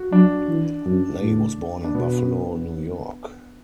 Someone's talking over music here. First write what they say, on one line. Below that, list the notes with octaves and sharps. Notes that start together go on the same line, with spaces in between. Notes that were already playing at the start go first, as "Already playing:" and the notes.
Lay was born in Buffalo, New York.
Already playing: F#4
F#3 D4
E3
F#2
A2
D4
B2 B3